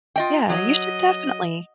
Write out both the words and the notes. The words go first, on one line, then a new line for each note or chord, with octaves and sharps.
yeah, you should definitely.
F4 D#5 G5
F#3 D#5